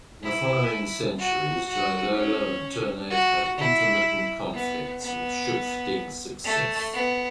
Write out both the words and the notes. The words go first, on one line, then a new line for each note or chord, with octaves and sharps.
In the following centuries Jailolo and Ternate had intermittent conflicts with shifting success.
E4
F#4
F#4
C#4
F#4
E4
B3
B3
A3
B3